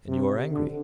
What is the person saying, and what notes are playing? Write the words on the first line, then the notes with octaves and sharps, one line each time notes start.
And you are angry!
C3
D3